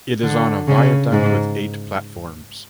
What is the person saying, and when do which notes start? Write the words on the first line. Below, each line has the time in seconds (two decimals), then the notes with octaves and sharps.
It is on a viaduct with eight platforms.
0.23 D3
0.68 C#3
1.12 G#2